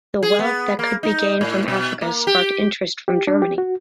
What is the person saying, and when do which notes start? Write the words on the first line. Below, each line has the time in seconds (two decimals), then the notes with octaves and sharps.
The wealth that could be gained from Africa sparked interest from Germany.
0.23 G#4
0.39 B3
0.79 A#3
1.03 D#4
1.41 A2
1.68 B2
2.01 A#3
2.27 G4
3.08 G4
3.27 D4
3.42 G4
3.58 F#4